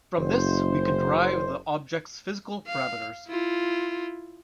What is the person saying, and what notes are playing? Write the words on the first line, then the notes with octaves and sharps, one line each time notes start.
From this we can derive the object's physical parameters.
F#1 C5
F5
E4 F4